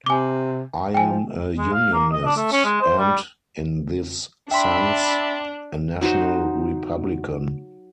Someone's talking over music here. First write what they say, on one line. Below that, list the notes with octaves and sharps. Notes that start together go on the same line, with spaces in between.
I am a unionist, and, in this sense, a national republican.
C3 G#5 D6
F3 G5 G#5
G#3
F5
A#3
D#5
D4
A3
C#4
G#3
C5
G3
D4 E5 G5 B5 C6
F#3 D#4 F#4 C5